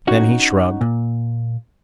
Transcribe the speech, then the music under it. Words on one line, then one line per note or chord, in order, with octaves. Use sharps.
Then he shrugged.
C#4 D#4 F#4
A#2